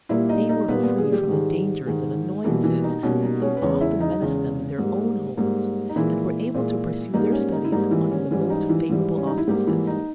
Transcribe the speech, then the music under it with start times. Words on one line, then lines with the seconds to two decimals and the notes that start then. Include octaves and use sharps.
They were free from the dangers and annoyances that so often menaced them in their own homes and were able to pursue their studies under the most favorable auspices.
0.09 A#2 G3 A#3 E4 E5
0.29 D#4 D#5
0.49 D#4 D#5
0.68 A#2 G3 A#3 B3 B4
0.83 B3 B4
0.98 G#3 G#4
1.12 G3 G4
1.27 G#2 D#3 G#3
1.86 G#2 D#3 G#3
2.44 B2 E3 G3 A#3 E4
2.64 E3 E4
2.83 D#4
3.03 B2 G3 A#3 C#4
3.23 D#4
3.42 C#4 C#5
3.57 B4
3.61 E2 C#3 G#3 C#4 C#5
3.81 E4 E5
4.00 D#4 D#5
4.21 E2 C#3 G#3
4.78 G#2 G3 A#3
5.37 G#2 G3 A#3
5.89 D#4
5.96 A#2 E3 G#3 E4
6.54 A#2 G#3
7.13 G#2 G3 A#3 D#4
7.32 C#4
7.52 D#4
7.65 E4
7.72 G#2 G3 A#3 D#4
7.91 E3 E4
8.11 C#4
8.31 G#2 E3 G3 C#4
8.50 D#4
8.69 E3 E4
8.89 G#2 E3 G3
9.17 C#4
9.27 D#4
9.38 E4
9.47 G#2 G3 A#3 G4
9.67 E3 E4
9.87 D#4